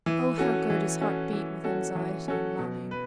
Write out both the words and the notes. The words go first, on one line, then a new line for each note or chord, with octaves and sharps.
Oh, how Gerda's heart beat with anxiety and longing!
E3
C#4 F#4 A4
E3
C#4 F#4 A4
E3
C#4 F#4 A4
E3
C#4 F#4 A4
B2
B4